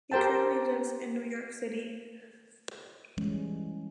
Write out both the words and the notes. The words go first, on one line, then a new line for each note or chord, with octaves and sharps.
He currently lives in New York City.
G4 A#4 C5 G5 A5
E3 G3 G#3 C#4